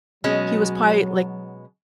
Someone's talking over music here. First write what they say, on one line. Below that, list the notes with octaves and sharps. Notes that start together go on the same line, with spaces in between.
he was pi like,
B2 F#3 G#3 C#4